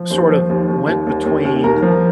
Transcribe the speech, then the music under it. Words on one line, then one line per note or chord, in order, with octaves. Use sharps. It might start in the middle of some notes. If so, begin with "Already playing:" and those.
sort of went between,
Already playing: F3
D#2 C5
F3
D#2
D#2
D#2
D#2
D#2
D#2
D#2 A#4
F3